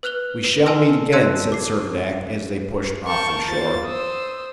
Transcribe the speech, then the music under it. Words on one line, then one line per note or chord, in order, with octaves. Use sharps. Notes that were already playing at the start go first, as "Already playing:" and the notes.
"We shall meet again," said Servadac, as they pushed off from shore.
B4 F6 F#6 F7 G7
B4 C7 D7 F7
G#5 A5 C6 E6 F6 A#6
A5 C6 E6 F#6 G#6 C#7
D6 C7
A#4 A5 C#6 G6
F4 C5 A6
C5 D#6 E6